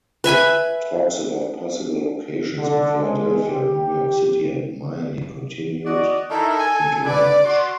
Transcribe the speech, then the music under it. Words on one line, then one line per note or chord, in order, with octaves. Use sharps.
Talks about possible locations in Philadelphia, New York City and Miami continued into March.
B4 E5 G#5 B5
D3
G#3
G4
F#4 D5 D#5
D#3 E4 A4 A#5
G#5
D3 B4 D5
F#4 C6